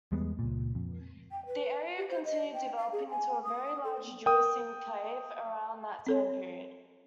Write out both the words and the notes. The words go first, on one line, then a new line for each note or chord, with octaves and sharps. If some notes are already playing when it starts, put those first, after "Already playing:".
The area continued developing into a very large Jewish enclave around that time period.
E2 G3 G#3 B3
C#2 A#2
F2
G5
B4
G4
C5
D#5
G5
F5
G#4
G#5
D#6
A4
A#4 G5 D#6
C4 A4 C#5